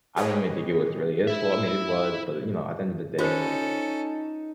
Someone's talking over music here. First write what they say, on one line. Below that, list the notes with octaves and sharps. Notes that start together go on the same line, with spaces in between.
I don't really think it was really his fault. I mean, it was. But, you know, at the end of the day, like,
G4 G#4 B4 C#5 D#5
E4 E5
C#4 D#4 F4 A4 C5